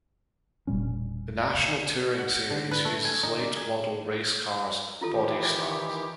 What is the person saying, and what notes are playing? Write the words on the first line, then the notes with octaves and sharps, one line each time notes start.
The national touring series uses late model racecars body styles.
E1 A#2 G3 C#4
F#5
D3
B4
A3
G#5
D#4
D5
G#4
D#3 E3 E4 F4 G4 A4